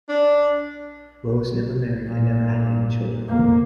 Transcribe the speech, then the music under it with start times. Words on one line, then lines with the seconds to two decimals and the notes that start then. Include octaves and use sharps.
Rose never married and never had any children.
0.09 D4
2.07 A#2
3.28 F2 A#3